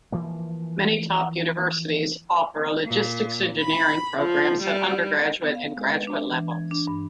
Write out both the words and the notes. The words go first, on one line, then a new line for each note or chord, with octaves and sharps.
Many top universities offer Logistics Engineering programs at undergraduate and graduate levels.
E3 F3 A#3
A#2
B5
F3
G3
B3
F5
G#3
B4
D4
E3
G#6
D4
G2